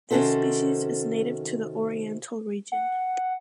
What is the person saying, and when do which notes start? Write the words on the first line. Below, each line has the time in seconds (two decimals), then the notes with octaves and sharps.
This species is native to the Oriental region.
0.11 C3 D#3 C#4 F#4 A4 C5
2.72 F#5